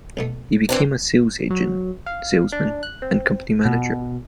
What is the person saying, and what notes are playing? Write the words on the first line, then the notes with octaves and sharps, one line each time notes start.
He became a sales agent, salesman and company manager.
B1 B2 A3
E3 C4 D4
F#3
F5
D4
F#6
C4
B2